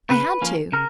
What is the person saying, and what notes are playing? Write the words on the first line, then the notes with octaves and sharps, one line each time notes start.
I had to.
C#3 B4
F3 A#3 C#4
C#3 A#4